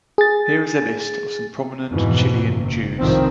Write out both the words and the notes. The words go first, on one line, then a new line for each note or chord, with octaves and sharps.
Here is a list of some prominent Chilean Jews.
G#4 A6
F2 G#2 B2 E3
F#1
C2 A2 D#3 F3 C4